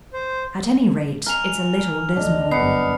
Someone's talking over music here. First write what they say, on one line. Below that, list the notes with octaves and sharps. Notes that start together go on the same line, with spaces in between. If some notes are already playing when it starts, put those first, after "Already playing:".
At any rate it's a little dismal.
C5
G#5 A#5 C#6 F6 F7
D2 D4 D#5
G1 F#2 B3 C7 C#7